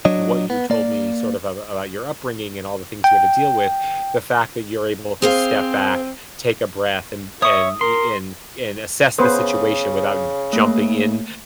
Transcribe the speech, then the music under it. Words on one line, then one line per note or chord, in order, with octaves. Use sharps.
what you told me, sort of, ab about your upbringing, and all the things you had to deal with, the fact that you're able to step back, take a breath, and and e and and assess the situation without jumping in,
F#3 D4 C#5 D#5
B3
A#3 D5
G5
C4 G#4 C5 F5
C#5 E5 C#6 D#6
A#4 C6
C#3 B3 B4 C5 D#6
A3 A#3